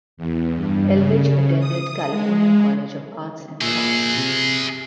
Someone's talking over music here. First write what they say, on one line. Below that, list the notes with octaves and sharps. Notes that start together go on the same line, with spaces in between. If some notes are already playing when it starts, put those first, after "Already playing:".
Elvidge attended California College of Arts and Crafts.
E2
G2
C#3
D#6
G#3
A#2 G#4 E5
C3